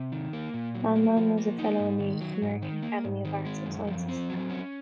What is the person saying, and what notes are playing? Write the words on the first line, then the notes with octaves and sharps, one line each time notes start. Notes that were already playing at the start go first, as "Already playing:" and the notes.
Lanman was a Fellow in the American Academy of Arts and Sciences.
Already playing: C3
D#3
A#3
A#2
F#3
A#3
F3
A#3
D#4
G#2
D#3
F#3
G#2
D#3
A#3
G#2
D#3
G#3
F#2
F3
C4
F#3
C#4